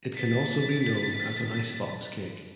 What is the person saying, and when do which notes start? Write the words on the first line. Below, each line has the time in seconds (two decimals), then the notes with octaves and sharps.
It can also be known as an "ice-box cake".
0.14 A6 B6